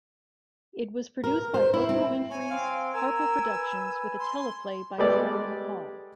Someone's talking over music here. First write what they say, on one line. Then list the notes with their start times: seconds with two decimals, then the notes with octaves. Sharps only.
It was produced by Oprah Winfrey's Harpo Productions with a teleplay by Karen Hall.
1.24 A#4
1.54 C5
1.74 E4
1.89 C4
2.30 C#5 G#5
2.51 C4 F5
2.94 A#4 G#5 E6
3.45 B4
4.20 C6
4.98 G3 G#3 B3 G4 A4 D5